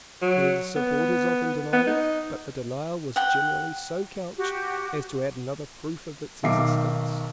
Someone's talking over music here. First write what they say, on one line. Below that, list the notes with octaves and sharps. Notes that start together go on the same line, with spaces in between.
Their supporters often denied it, but the denial was generally so couched as to add another proof of its existence.
F#3
B3
B3
D#4
F#5 G5
F#4 G4
B1 D#3 E5 F5 D6 C7